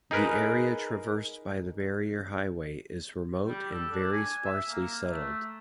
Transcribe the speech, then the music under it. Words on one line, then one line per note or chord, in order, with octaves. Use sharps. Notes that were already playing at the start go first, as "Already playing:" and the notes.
The area traversed by the Barrier Highway is remote and very sparsely settled.
D#4 G#4 A#4 B4
G3
A4
D4
G#5
E5
A#3
A3